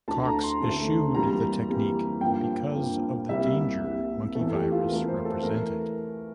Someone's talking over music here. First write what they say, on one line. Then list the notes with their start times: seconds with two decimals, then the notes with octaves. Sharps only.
Cox eschewed the technique because of the danger monkey virus represented.
0.08 D2 D3 A3 A5
0.25 A#5
0.43 C6
0.61 D2 D3 A3
1.14 F2 E3 G3 A#3 A#5
1.68 F2 E3 G3 A#3
2.21 G2 F3 A#3 G5
2.76 G2 F3 A#3
3.29 C2 C3 G3 A#3 E5
3.82 C2 C3 G3 A#3
4.35 E2 E3 A3 A4
4.54 G4
4.71 F4
4.89 E2 E3 A3 A#4
5.08 C5
5.25 A4
5.43 E3 A3 A#4